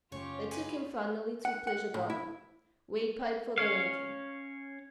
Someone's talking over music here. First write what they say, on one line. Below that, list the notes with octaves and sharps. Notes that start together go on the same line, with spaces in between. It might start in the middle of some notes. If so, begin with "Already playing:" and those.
They took him finally to a pleasure garden, where he paid for their entrance.
F#1 F#2 A3 C#4 F4 G4 C#5
G#4 B4
F#5
F#5
A2
E4
C#4 C#5 F5